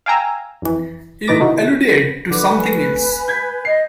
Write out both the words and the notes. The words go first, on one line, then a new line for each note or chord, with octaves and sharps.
You alluded to something else.
F5 G5 G#5 A#5 E6
F2 E3
A2 E3 D#4 B4 D6 A#6
C3 D#3 D#4 E4 F#4
D3 B4 D6
A3 B4 G#5
G6 G#6 B6
D#5 C7